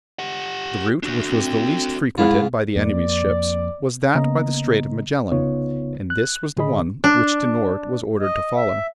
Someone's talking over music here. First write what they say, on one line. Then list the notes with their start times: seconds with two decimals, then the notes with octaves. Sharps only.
The route which was the least frequented by the enemy's ships was that by the Strait of Magellan, and this was the one which De Noort was ordered to follow.
0.19 G4 F#5
1.03 D4 F#4
1.26 C4
2.18 G#2 G#3 E4 F4
2.76 F2 A#3 D5
4.15 C#3 A#3 B3 D#5 A#5
5.32 C2 C#3 B3 D#4 F4 C#5
6.10 F#6
6.57 A2 D3 G#4 D#5 B5
7.04 D4
8.20 D#5
8.56 E5